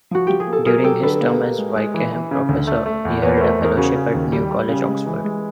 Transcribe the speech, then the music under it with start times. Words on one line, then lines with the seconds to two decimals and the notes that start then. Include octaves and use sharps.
During his term as Wykeham Professor, he held a Fellowship at New College, Oxford.
0.11 F3 F#4
0.27 F3 G4
0.40 G#4
0.47 A#3
0.53 A4
0.66 F#3 G#4 A#4
0.84 F#3 G4 A4
1.03 D3 A4 B4
1.21 A#3
1.39 A#3
1.58 G#3
1.76 G#3
1.94 E3
2.13 E3
2.31 C#3
2.49 D2
2.67 A3
2.86 A3
3.05 E2
3.22 E2 B4 C#5
3.37 A3 A#4 C5
3.59 E2 G#4 A#4
3.77 C#3 F#4 G#4
3.96 C#3
4.15 D#2
4.32 G3 G4
4.51 G3
4.69 C#3
4.88 G#3
5.07 E3
5.24 G#3